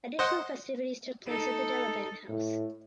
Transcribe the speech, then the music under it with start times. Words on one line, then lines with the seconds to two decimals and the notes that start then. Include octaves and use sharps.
Additional festivities took place at the Delavan House.
0.19 C5 D#5 F#5
1.27 D#4 A4
2.29 A2